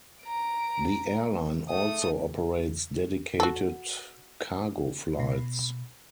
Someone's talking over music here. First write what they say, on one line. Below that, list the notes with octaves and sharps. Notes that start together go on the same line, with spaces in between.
The airline also operates dedicated cargo flights.
A#5 D7
A3 D#6
F#4 A4
B2